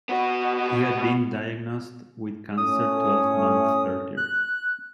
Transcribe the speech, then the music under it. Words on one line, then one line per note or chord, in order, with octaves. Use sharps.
He had been diagnosed with cancer twelve months earlier.
B3 F#4
A2 A3 C#4 D#6
F#6